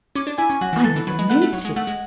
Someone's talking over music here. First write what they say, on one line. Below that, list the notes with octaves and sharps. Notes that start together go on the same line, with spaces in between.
I never meant it!
C#4 D6
D4
E4 G#5
C#4
F#3 F#4
E3
E3 A4
E3
F#3 B4
G#3
A3 F#5
A3
F#3 C#5
G#3
A3 F#5
G#3